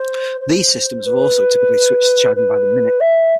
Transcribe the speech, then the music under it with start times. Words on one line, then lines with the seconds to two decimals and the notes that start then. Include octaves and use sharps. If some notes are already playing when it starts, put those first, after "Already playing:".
These systems have also typically switched to charging by the minute.
Already playing: C5
0.41 C5
1.06 B4
2.36 B4
3.00 E5